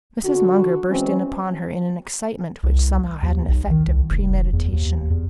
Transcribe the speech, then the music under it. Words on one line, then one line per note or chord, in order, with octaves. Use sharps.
Mrs. Munger burst in upon her in an excitement which somehow had an effect of premeditation.
D3 F#4
E3 G#3 C4 C#4
C2
D#2
B1
D#3
C2
F1
E2
D#2
E2